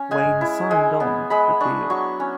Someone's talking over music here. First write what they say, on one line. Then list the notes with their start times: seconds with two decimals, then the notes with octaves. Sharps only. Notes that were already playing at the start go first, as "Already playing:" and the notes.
Wayne signed on to the deal.
Already playing: C#4
0.11 G#3 G#5
0.41 E4
0.71 G#3
1.00 B3
1.30 G#3 B5
1.60 D4 C#6
1.90 F#3 C#6
2.20 C#4